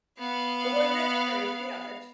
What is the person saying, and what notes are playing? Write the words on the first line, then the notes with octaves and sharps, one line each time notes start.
Oh well, that's true, yeah, that's tr
B3 F5